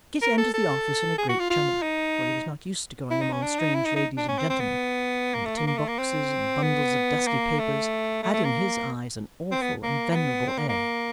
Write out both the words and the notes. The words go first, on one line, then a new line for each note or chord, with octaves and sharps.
Kit entered the office in a great tremor, for he was not used to going among strange ladies and gentlemen, and the tin boxes and bundles of dusty papers had in his eyes an awful and venerable air.
A#4
A4
A4
G#4
F#4
F4
F4
D#4
E4
D#4
C#4
D4
D#4
E4
D#4
D#4
D4
C#4
C4
C4
B3
A#3
A3
A#3
A#3
A3
A#3
C4
B3
A#3
A3
A3
A3
A#3
C4
B3
A#3
A#3
B3
C4
A#3
A#3